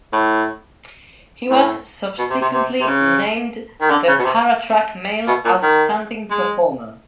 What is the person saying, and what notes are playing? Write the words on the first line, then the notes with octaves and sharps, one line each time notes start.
He was subsequently named the para track male outstanding performer.
A2
A2
B2
C3
C3
C3
C3
C#3
D#3
D3
C#3
B2
C3
B2
A#2
D#3
G#3